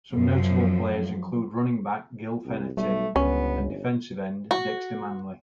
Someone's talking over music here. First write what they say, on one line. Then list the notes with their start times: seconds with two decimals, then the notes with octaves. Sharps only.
Some notable players include running back Gill Fenerty and defensive end Dexter Manley.
0.11 F#2 F3
2.45 C2
2.77 B1 G3 A3
3.16 G1 C#2 B3 C#4
4.51 F#4